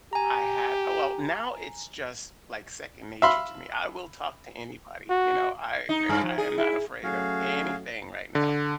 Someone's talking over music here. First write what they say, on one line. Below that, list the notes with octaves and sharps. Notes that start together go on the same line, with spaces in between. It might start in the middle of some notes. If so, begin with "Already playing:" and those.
I had well, now it's just, like, second nature to me, I will talk to anybody, you know, I der I am not afraid of anything right now.
G4 G#5 A#5
E5 F5 B5 C6
F#4
D#4
G2
F3
G#4
E4
F#3 A3 C#4 F#4 G#4 F5
D3